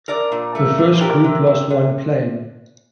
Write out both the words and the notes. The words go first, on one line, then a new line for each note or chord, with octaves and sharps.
The first group lost one plane.
D4 A#4 D5
A#2
A3
A#2
C5
D4 G4 A#4
C3
C3
C3